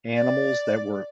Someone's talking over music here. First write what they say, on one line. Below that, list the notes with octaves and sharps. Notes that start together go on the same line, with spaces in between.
animals that were
D5